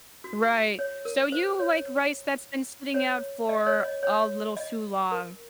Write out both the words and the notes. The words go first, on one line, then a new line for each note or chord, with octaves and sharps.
Right. So you like rice that's been sitting out for a little too long.
F#4
C#5
A#4
C5
C#5
C#5
D#5
C#5
D#5
C#5
D#5
A#4